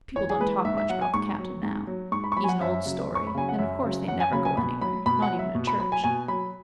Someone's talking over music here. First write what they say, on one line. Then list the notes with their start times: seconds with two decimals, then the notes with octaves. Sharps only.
But people don't talk much about the Captain now--he's an old story--and of course they never go anywhere, not even to church.
0.16 E2 C#5
0.30 G#4
0.40 E3 G#3 B4
0.65 G#2 E5
0.78 E5
0.90 F#3 F#5
1.01 G#5
1.14 G#2 C#6
1.39 F#3
1.63 G#2
1.87 F#3
2.12 G#2 C#6
2.24 B5
2.32 C#6
2.36 F#3 B5
2.44 G#5
2.49 F#5
2.61 F#2 E5
2.85 C#3 F#3
3.10 F#2
3.15 C#6
3.27 B5
3.35 C#3 F#3 G#5
3.49 F#5
3.59 F#2 E5
3.83 C#3 F#3
4.07 F#2 F#5
4.20 G#5
4.32 C#3 F#3 B5
4.45 G#5
4.57 B2 B5
4.81 F#3 B5
5.06 B2 B5
5.22 F#5
5.30 F#3
5.39 E5
5.55 B2
5.67 B5
5.79 F#3 B5
5.92 G#5
6.04 B2 G#5
6.28 F#3 B5